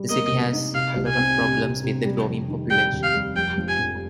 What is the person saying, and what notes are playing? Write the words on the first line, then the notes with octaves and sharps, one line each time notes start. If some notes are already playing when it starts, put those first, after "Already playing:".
The city has a lot of problems with the growing population.
Already playing: G3
A#3 D#5
C3
D#4
C3 F5
C2
G#5
C4
C3
C3
C3
G3
F1
D#3
G3 G5
D#2
F5
G3
F1 G5
F3
G#5
F2